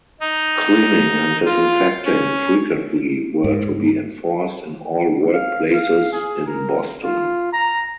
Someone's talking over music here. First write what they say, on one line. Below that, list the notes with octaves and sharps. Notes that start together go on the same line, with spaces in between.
Cleaning and disinfecting frequently were to be enforced in all workplaces in Boston.
D#4
F4
C#4
G#2
F5
F5
G#4
A#4
F4
A#5